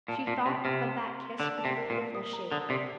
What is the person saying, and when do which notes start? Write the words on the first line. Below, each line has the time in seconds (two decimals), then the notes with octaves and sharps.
She thought of that kiss with a pitiful shame.
0.08 A#2 A5
0.27 A#2 A5
0.46 C3 A5
0.65 C3 F6
0.83 C6
1.02 C6
1.21 C6
1.40 D3 D5
1.58 A5
1.65 C3
1.77 A#4
1.90 A#2
1.95 A#4
2.15 D#6
2.33 A#5
2.52 D3 D#6
2.70 C3 D5